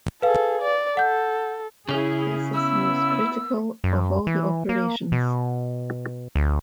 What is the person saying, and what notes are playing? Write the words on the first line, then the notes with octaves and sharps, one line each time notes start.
This is the most critical of all the operations.
G#4 A4 B4 F5
D5
A4 F#5 G6
C#3 C#4 E4 G#4
B3 E4 E6
F#2
E3
A#3
B2
D2